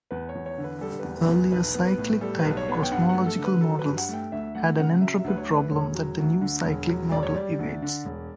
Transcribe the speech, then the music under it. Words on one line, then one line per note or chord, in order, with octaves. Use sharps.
Earlier cyclic-type cosmological models had an entropy problem that the new cyclic model evades.
E2 B4
C#5
E2
C#5
D3
B4
G3 A4
E2 B4
B4
E2 B4
B1 B4
B3
B4
A2
G3 A4
B4
B1
C#5
B3
C#5
G5
G2 F#5
F#5
A3
A4
D3
B4
F#3 A4
B4
G2
F#5
A3 G5
D2 E5
A3 F#5
C#3 F#5
F#3 E5
E5
D2 B4
C#5
A3
B4
E1 C#5
F#3
D2
D3
E1
F#3
E1 D5
C#5
G3 D5
D2
D3
E1